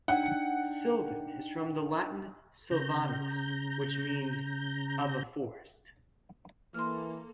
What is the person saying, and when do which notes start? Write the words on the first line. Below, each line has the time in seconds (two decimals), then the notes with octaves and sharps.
"Sylvan" is from the Latin "sylvanus", which means "of a forest".
0.08 D4 D#4 F#5 G5
2.71 C#3 A#5 G6
6.74 E3 A#3 A4 C6 F6